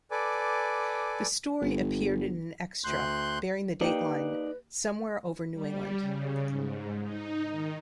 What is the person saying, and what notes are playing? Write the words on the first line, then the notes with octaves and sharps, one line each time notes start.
The story appeared in an extra bearing the dateline "Somewhere Over New England".
A4 B4 D5 G#5 D6
G1
D2 C6 F#6 G6
A#3 D#4 G4 B4 D5
G3
C#3
G#2
D#4
D#3